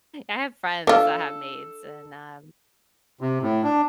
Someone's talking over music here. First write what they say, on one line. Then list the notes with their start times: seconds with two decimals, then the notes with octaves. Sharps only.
I have friends that have maids, and, um
0.87 D4 F4 A4
3.21 C3
3.42 A2
3.63 D4